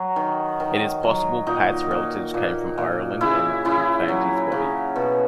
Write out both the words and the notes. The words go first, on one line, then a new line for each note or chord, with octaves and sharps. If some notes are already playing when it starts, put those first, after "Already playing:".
It is possible Pat's relatives came from Ireland and reclaimed his body.
Already playing: F#3
D#3
D#3
F#3
A#2 D#4
A#2
A#2
A#2
C#3 E4
C#3 E4
F#3
C#3
B2